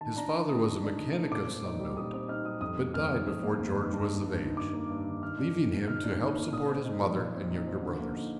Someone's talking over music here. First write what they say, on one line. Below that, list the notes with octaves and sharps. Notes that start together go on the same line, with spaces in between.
His father was a mechanic of some note, but died before George was of age, leaving him to help support his mother and younger brothers.
D#3 A5
D4 A#5
D#3 C6
A3 D#6
D#3
D4
D#3
A3
A#2 D6
C4
D#4
G3
A#2 D#6
C4 D#6
D#4 F6
G3 D#6
F2 D#6
A#3
F2 F6
D#3
F2 D#6
A#3
F2
D#3
G2
A#3
G2
D#3
G2 D6
A#3
G2
D#3
D#3 F6
D4
D#3
A#3
D#3 F6
D4
D#3
A#3
A#2 D#6
C4
D#4
F3
A#2
C4
D#4
F3
D3
A#3
D#4